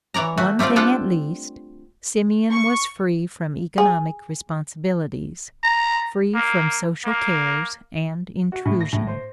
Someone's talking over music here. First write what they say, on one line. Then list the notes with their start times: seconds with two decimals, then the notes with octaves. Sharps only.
One thing at least, Simeon was free from economic responsibilities, free from social cares and intrusion.
0.14 E3 C#5 D5 A#5
0.38 A3 F#4
0.59 G3 A3 C4 F4 D5
0.76 G3 D4 F4 A4 F#5
2.51 C#6
3.78 G#4
5.63 A#5
6.34 A#3
7.05 A#3
8.52 F#4
8.65 A2
8.81 A#6
8.93 A2
9.07 C5